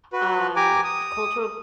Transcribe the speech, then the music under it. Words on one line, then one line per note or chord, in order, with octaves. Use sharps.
um, cultural
F#4 B4
G4 G#5 A#5 D6
D#6